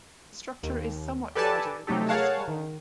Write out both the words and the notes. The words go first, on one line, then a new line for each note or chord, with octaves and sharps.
The structure is somewhat wider than it is tall.
D#2
G4 A4 B4 D5 G#5 A5
C3 F#3 A3 D#4 G4 A4
G#4 A#4 C#5 F5 F#5 A5
D#3